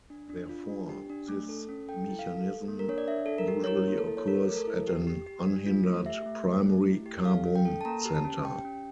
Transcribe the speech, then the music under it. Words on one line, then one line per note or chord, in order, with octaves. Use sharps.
Therefore, this mechanism usually occurs at an unhindered primary carbon center.
D4
D4
F4
D4
G4
D4
A3
A4
C#4
A4 G5
E4
F5
A4
A4
A#3
A#4
D4 C#5
D5
D4 E5
D4 A4
A#4
G4
C#5
E4 A#4
A#3
A4
E4
C#5
A4 A#4
A3
A#4
A4
E4
G4
G4
G4
D4
F4
A3
G4 E5
A3
G4
A3
E4
G4
A4 F5
C#4
G5
A4
A5
A#3 A#5
G4
A5
C#4
G4 G5
C#4